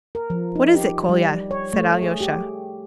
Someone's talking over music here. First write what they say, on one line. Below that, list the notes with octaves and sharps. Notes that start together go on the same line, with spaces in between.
"What is it, Kolya?" said Alyosha.
A#4
F3
D#4
G4
G3
C#5
A3
G#4
G4